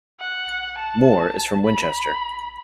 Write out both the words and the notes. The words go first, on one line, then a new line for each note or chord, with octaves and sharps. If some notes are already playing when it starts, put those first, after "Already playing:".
Moore is from Winchester.
F#5
A5
B5